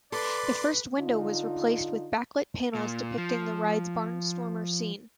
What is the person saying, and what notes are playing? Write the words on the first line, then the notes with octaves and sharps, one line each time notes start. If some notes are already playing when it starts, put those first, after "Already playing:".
The first window was replaced with backlit panels depicting the ride's barnstormer scene.
A4 B4 D5 C6 D6
D3 D#4 F4
A#2
F3